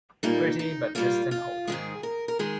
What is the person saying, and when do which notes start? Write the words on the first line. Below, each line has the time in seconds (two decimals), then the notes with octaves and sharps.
Pretty but distant hope.
0.23 A#2 G3 A#3 D#4
0.59 D#4
0.95 A#2 G3 A#3 F4
1.31 F4
1.67 G#2 D#3 G#3 G#4
2.03 A#4
2.28 A#4
2.39 D#3 G#3 G#4